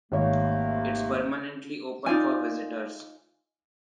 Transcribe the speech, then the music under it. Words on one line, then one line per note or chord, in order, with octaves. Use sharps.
It’s permanently open for visitors.
G#1 C3 A3 A#3 C#5
D#4 F4 D5 G#5